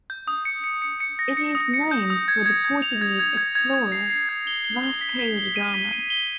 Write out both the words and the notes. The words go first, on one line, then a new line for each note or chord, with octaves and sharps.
It is named for the Portuguese explorer Vasco da Gama.
G6
D#6
C#7
C#7
C#7
C#7
A#6
C#7
D#6
C#7
G6
D#6
G#6
G#6
G#6
F7
G#6
G#6
G#6
G#6
G#6
C7
C7
G#6
G7
G7
G7
B6
B6
G7
D#7
B6
D#7
G7